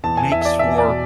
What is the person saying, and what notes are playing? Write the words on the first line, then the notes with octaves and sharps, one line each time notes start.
makes for
E2 A5
G#5
E2 E5
E5
D5
E2 E5
D5
B2